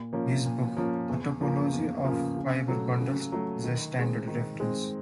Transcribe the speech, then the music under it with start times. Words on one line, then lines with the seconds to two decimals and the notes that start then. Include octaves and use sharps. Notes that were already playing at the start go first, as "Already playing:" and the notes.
His book "The Topology of Fibre Bundles" is a standard reference.
Already playing: A#2
0.13 F3 A#3 C#4
0.45 A#2
0.77 F3 A#3 C#4
1.09 E2
1.40 C#3 F3 A#3
1.72 E2
2.04 C#3 F3 A#3
2.37 C#3
2.68 F#3 A3
3.01 C#3
3.32 F#3 A3
3.64 D#3
3.96 G#3 C4
4.27 D#3
4.60 G#3 C4